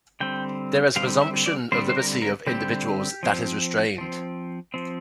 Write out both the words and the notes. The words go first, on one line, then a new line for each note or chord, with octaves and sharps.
There is a presumption of liberty of individuals that is restrained.
D3 G3 C4 G5
D3 G3 C4 F5
E5
D5
D3 G3 C4 C5
C5
A#4
A#4
D3 G3 C4 G4
F3 C4
F3 C4
F3 C4